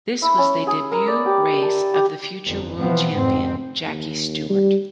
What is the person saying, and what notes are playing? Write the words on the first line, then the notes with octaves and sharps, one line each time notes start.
This was the debut race of the future world champion Jackie Stewart.
E4
C#4
G#4
A#4
D5
G4
A5
G4
G1 F2
B2 E3 F3 B3 C4
F1 F2 G#2 C4
D#2
G3